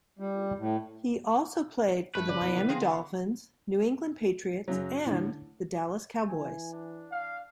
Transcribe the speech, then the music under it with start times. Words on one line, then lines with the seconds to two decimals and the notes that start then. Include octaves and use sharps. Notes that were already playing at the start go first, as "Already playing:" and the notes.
He also played for the Miami Dolphins, New England Patriots and the Dallas Cowboys.
0.19 G3
0.59 A2
2.15 G2 A3 B4
2.29 F#2 C#3 F#3 D5
2.41 F#2 B2 E4
2.53 D3 F#3 F#5
2.69 F3 B3 C4 G#4 A#6
2.82 B3 F5
4.68 F#2 C#3 F#3
5.06 A2 D3
6.28 E3 G#5
6.73 D4
7.12 F5